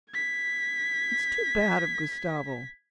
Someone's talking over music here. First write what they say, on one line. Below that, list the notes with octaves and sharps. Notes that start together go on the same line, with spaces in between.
It's too bad of Gustavo!
G#6 B6